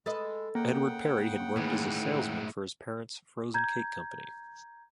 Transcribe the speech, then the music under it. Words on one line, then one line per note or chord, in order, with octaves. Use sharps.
Edward Perry had worked as a salesman for his parents' frozen cake company.
G#3 A4 B4 D#5
C#3 A#3 F#5 G5
A2 D#3 E3 G#3
A#5 G6 G#6